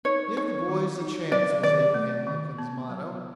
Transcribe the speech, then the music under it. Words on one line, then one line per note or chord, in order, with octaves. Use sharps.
"Give the boys a chance," was Abraham Lincoln's motto.
D#4 C#5
D#4 C#5
D#3
D#4
F#3 D5
D#3 D5
A3
D#3
B3
F#3